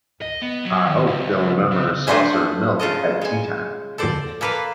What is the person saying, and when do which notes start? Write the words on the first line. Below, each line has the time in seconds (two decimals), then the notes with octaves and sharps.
I hope they’ll remember her saucer of milk at tea-time.
0.22 D#5
0.42 B3
0.65 F#3
0.86 D#3
1.07 C#2
1.72 C#3
2.07 A3 D4 F#4 B4 C5 G#5
2.79 C#3 F4 A4 D#5
3.21 G#3 G#5
3.98 A4 C5 D5
4.41 A#3 A4 B4 D5 F5